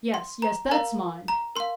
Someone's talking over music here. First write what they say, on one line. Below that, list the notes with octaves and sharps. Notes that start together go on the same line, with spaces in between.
Yes, yes; that's mine.
C6
A#5
A#4 F5 A#5
A#5
A#4 F5 C6